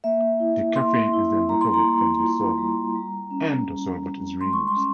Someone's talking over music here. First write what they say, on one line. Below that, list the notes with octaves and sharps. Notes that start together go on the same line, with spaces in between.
The caffeine is then recovered from the solvent, and the solvent is re-used.
A#3 E5
E4
A#3 C6
E4
G3 A#5
C6
A#5
A#3
F4
G3
G3
C#4
G3
G3
G#3 C6
C#6
C6
C#4